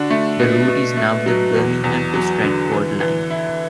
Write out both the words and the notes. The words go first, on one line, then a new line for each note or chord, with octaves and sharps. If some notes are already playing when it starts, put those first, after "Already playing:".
The route is now the Birmingham to Stratford Line.
Already playing: D3 D4 F#4
A3
B2
B2
A3
F#3
E2
E2
F#3
D3
E3
E3
E4